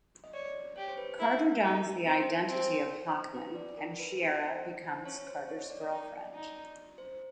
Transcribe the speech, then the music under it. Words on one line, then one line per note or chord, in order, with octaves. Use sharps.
Carter dons the identity of Hawkman and Shiera becomes Carter's girlfriend.
D#5
C#5 D5
G4 C#5
C5
B4
E4 A#4
A#4
D#4
C4
C4 C5
B4
D5
A#4
B4
C4
C5
C#4 C#5
C5
C#5
D#5
D5
D5
D#4
D#4
C5